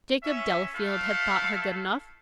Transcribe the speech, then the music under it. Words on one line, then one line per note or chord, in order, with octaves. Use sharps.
Jacob Delafield had thought her good enough!
C#4 E5
A3 E4 A4 F5